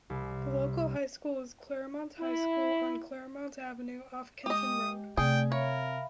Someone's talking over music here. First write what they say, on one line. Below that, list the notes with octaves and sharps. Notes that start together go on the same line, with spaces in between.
The local high school is Claremont High School on Claremont Avenue off Kenton Road.
C2
E4
G#3 G4 D#5 D#6
C3 A3 G#4 D5 G5
A#4 C#5 E5 F5 B5